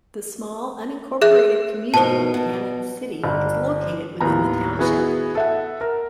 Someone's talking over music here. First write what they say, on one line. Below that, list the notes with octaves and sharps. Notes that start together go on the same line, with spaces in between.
The small, unincorporated community of Cannon City is located within the township.
G#4 E5 F#6
B2 D#3 C5 A5
B2
G1
D#2 A2 B3 A#5
B3 E4 F#4 G#4
A4 E5 F#5
A#4